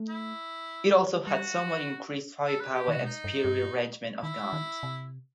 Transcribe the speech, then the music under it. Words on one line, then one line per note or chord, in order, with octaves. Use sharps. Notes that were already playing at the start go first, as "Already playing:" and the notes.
It also had somewhat increased firepower and superior arrangement of guns.
Already playing: A3
E4
G3 F#4
A4
B4
G4
D#3 F#4
C3
B2 D#4
G2
G2
D#3 E4
D#3
C3